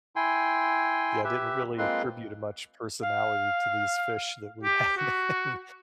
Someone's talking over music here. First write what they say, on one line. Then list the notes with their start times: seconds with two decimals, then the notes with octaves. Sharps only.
yeah, I didn't really attribute, uh, much personality to these fish that we had in
0.16 E4 G5 G#5 C6
1.24 G4 B4 E5
1.78 G#3 A#3 C4 F4 B4 C6
3.03 F5
4.63 G4
4.97 F#4